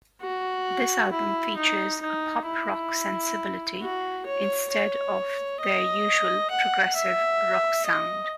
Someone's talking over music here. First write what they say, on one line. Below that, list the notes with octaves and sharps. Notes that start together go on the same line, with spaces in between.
This album features a pop rock sensibility, instead of their usual progressive rock sound.
F#4
E4
D#4
D#4
E4
F#4
C#5
C#5
D#5
F#5
E5
D#5